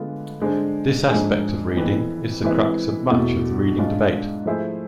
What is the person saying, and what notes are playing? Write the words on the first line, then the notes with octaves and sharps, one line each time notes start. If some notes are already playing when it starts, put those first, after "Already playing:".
This aspect of reading is the crux of much of the reading debate.
Already playing: D3 G#3 B3 F4
D3 G#3 D4 G#4 C5
G#2 F3 G#3 D4 G#4
F2 E3 B3
E3 G#3 C4 E4 B4
E2 B2 A3 E4
G#2 G#3 D4 F4
F3 A3 E4 G#4 C5